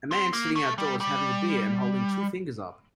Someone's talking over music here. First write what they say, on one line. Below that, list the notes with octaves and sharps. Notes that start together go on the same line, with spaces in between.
A man sitting outdoors having a beer and holding two fingers up.
C4
A#3
A3
G3
G3